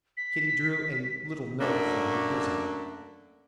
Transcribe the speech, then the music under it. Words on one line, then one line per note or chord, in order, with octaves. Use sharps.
Kitty drew a little note from her bosom.
B6
F#2 A3 A#3 D4